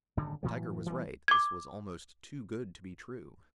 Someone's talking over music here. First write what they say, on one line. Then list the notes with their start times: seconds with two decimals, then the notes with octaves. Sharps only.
Tiger was right; this was almost too good to be true.
0.17 D#1 G#1 F#2 D3
0.43 A2 E3 F#3
0.86 E3 G3 B3
1.28 D6 G#6